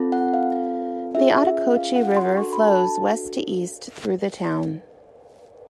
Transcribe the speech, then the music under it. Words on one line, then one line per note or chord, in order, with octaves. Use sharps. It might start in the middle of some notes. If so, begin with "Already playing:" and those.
The Ottauquechee River flows west to east through the town.
Already playing: C4 F4 A4
F#5
F5
C#4 F4 G#4 E5
F5
F#5
C6
D4 F#4 A4 C#6
B5
A5